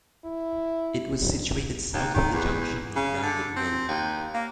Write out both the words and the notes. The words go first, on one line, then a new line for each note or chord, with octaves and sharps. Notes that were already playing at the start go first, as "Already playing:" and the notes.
It was situated south of the junction on Roundwood Road.
E4
D#2
D#3
E2
C#3
D3
C4
D#2
A#3